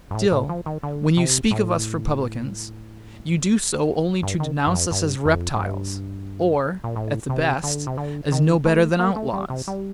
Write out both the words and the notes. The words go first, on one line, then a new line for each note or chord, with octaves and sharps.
Still, when you speak of us Republicans, you do so only to denounce us as reptiles, or, at the best, as no better than outlaws.
G2
A2
A2
F3
D#3
D3
C3
A2
G2
D#3
G2
F2
G2
F2
A2
G2
A#2
A2
C3
D3
C3
D3
D#3
A3
A#3
A3
G3
C3
G3